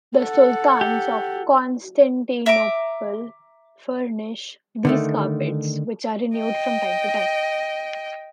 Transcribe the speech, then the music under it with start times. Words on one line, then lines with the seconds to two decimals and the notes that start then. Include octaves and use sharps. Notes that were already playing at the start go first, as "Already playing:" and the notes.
The sultans of Constantinople furnish these carpets, which are renewed from time to time.
0.18 A4 F#5
0.81 G4
2.46 E5 A#5 D6
4.85 D3 D#3 A3
6.37 D#5 G5